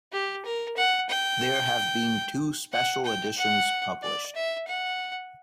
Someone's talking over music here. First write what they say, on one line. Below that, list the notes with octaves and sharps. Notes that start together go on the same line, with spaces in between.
There have been two special editions published.
G4
A#4
F#5
G5
F#5
G5
F#5
D5
E5
F#5